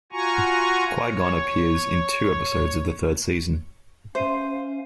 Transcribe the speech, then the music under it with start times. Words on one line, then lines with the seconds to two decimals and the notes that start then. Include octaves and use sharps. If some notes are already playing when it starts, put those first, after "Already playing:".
Qui-Gon appears in two episodes of the third season.
0.12 F4 F#4 G#5 A#5 C#6
1.05 C#5
4.15 C#4 C5 E5 F5 C7 D#7